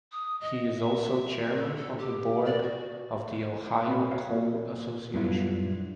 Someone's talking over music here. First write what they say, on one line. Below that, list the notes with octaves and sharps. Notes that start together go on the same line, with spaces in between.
He is also chairman of the board of the Ohio Coal Association.
D#6
D#5
E5
A4
A4
G4
D5
F#4
C4 B5
F#4 C#5 E5 F5
A#3
F#2 G3 B3 D4 E4 F4